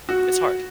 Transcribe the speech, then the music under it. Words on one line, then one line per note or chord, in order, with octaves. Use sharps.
it's hard.
F#4